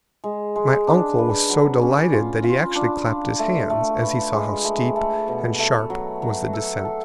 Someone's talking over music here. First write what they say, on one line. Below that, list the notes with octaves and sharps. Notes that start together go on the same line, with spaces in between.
My uncle was so delighted that he actually clapped his hands--as he saw how steep and sharp was the descent.
G#3
G#3
D4
B4
F#3
C#4
F4
F4
D4
D4
A3
A3
B4
G#3
A3
A3
B2
A3
F#3
F#3
A4
A4